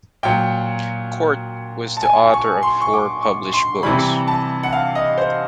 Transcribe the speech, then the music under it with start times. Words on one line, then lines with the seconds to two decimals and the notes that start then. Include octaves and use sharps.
Kort was the author of four published books.
0.23 A#2 F#3 G5
1.97 A5
2.03 G#5
2.33 C#6
2.63 C6
2.82 C#6
2.93 D6
3.23 C#6
3.53 C6
3.83 C3 E3 G3 B5
4.28 A5
4.63 F#5
4.73 F5
4.95 D#5
5.18 C5